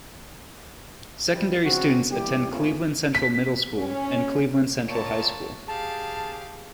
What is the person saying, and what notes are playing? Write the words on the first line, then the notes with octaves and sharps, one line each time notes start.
Secondary students attend Cleveland Central Middle School and Cleveland Central High School.
E3 F3 G3
C#3 C4 D4 F#4
E3 G3 G4
G#2 A3 B3 C#4 F4
B6
C#4
A#2 C#5 A5
G4 G#4 F5 A5